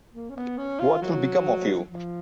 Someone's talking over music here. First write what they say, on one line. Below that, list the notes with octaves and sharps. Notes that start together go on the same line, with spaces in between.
What will become of you?
A#3
C#4
B3
C#4
F4
F#3
F3